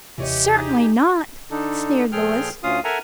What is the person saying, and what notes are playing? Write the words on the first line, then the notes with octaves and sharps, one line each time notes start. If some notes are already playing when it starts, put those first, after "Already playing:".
"Certainly not," sneered Louis.
D#2 C3 E3 G4 C#5 D#5
D#4 G#4
D3 D4 D#4 A4
A#2 F3 G#4 A4 G5 F6
D2 C#4 F4 F5 D#6
A4 A#4 E5 F#5 G#5 A#5